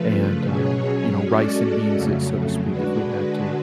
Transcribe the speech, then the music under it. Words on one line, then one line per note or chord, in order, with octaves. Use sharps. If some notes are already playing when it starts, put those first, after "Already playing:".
and, um, you know, rice and beans it, so to speak, if we'd had to.
Already playing: C#3 F3 A3 F4 B4
B2 F#3 C#4 G#4 C#5
G#3 C#4 F#4 A4 D5
F2 C#3 F#3 A3
D3 G#3 D4 F#4 B4